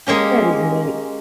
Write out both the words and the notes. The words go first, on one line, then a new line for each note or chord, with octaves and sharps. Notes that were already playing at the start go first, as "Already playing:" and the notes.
That is neat.
G#3 A#3 C#4 G4